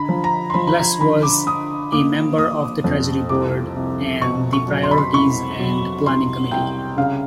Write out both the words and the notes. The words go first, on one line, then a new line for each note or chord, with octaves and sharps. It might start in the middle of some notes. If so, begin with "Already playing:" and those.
Les was a member of the Treasury Board and the Priorities and Planning Committee.
Already playing: D3 A#5 B5
F3
A#5
C6
F3 B5
B5
A#5
D3 B5
D6
D3 D#6
A#3 D6
A#3 D#6
F2
C2 D6
C2
B2 C#6
C#6
F#3
C6
B5
C6
C2 C#6
F#3
C2 C6
C2 G5
C#3 F5